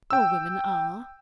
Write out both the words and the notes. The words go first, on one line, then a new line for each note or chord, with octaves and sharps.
All women are.
G5 E6